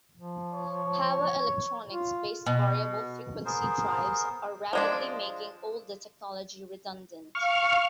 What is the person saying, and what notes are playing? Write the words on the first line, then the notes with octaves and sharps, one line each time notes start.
Power electronics based variable frequency drives are rapidly making older technology redundant.
F3
C#5
F4
B2
B3 G#4 A#4 C5
F3 G#3 D4
F5 C#6 F6